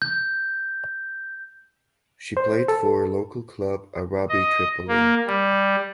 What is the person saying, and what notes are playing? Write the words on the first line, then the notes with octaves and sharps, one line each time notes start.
She played for local club Arabi Tripoli.
G6
C5
A4
D#5
A#3
G3